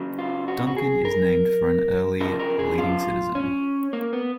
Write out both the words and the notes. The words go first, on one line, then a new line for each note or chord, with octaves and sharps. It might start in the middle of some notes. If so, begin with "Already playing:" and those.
Duncan is named for an early "leading citizen".
Already playing: C#3 F#3
F4
F#4
F#4
G#4
A#4
C#3 F3 A#4
A#4
G#4
F4
C#4
A#3
B3